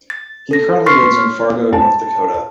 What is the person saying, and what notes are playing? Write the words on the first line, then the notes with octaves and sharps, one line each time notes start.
He currently lives in Fargo, North Dakota.
A6
A4 A#6
C6 C#6 F6 A6 B6 C7
C#5 F6
A5